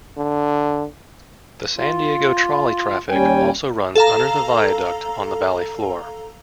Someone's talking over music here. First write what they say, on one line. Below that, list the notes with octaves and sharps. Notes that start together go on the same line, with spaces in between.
The San Diego Trolley traffic also runs under the viaduct on the valley floor.
D3
F4
D#2 G3 C#4 G5 G#5
A4 F5 A#5